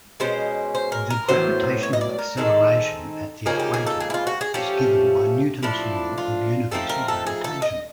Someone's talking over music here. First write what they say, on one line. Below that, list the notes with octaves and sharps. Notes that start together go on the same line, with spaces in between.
The "gravitational acceleration" at the equator is given by Newton's law of universal gravitation.
B2 G#3 C#4 C5
C5
A#4
A#4
A2 F#3 B3 C5
C#5
D#5
D5
A#4
D#3 G#3 C4 D#4 A4
C#3 F3 A#3 D#4 G#4
G4
G#4
A4
G#4
E4
F4
F#4
G#4
F3 A3 C#4 G4
F3 A3 D4 E4
F4
F3 A3 C4 D#4 A4
A#4
A4
G#4
A4
D#5